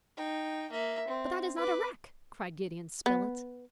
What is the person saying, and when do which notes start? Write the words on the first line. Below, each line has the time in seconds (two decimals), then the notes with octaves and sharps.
"But that is not a wreck!" cried Gideon Spilett.
0.17 D#4 G5
0.71 A#3 E5
1.08 C4
1.56 B4 D6
3.06 B3